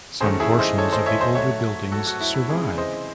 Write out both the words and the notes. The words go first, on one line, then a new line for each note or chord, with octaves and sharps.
Some portions of the older buildings survive.
F#2 D#3 A3 G#4 C5
E4 G#4
C5 D#5
A4 C#5
C5 D#5
C#5 E5
C5 D#5
G#2 F#3 A3 C#5 E5
F#4 A4
F#4
E4
E4
C#2 C3 E3 G#3 E4 G#4
C5 D#5